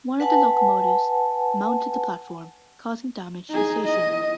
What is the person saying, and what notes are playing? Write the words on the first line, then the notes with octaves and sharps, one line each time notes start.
One of the locomotives mounted the platform, causing damage to the station.
B4 F#5 G#5 A5
D#4 G#4
D#5